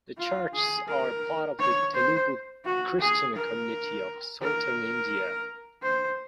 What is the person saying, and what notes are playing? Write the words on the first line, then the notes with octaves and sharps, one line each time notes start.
The churches are part of the Telugu Christian community of Southern India.
F4
G#4
A#4
C#5
C5
F#4
G#4
A#4
A#4
C5